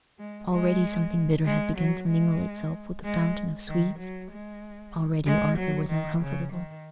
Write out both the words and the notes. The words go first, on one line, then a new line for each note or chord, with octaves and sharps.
But already something bitter had begun to mingle itself with the fountain of sweets: already Arthur was uncomfortable.
G#3
G#3
G#3
F#3
G#3
G#3
D#3
F#3
G#3
G#3
F#3
D#3
C#3
D#3